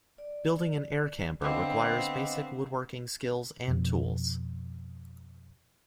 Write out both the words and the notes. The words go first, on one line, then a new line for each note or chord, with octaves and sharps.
Building an Air Camper requires basic woodworking skills and tools.
D5
D3 B3 C4 D#5 F5 D6
F2 B2